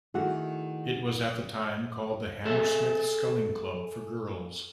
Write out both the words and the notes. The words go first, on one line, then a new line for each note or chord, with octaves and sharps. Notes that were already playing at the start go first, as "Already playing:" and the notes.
It was at the time called the Hammersmith Sculling Club for Girls.
D#3 A3 E4 F#4 G#4 F#5
G#4 A4 E5